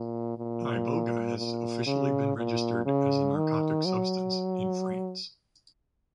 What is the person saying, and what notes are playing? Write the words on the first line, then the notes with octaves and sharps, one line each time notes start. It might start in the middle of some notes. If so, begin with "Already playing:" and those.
Iboga has officially been registered as a narcotic substance in France.
Already playing: A#2
A#2
A#2
C#3
A#2
C#3
D#3
F#3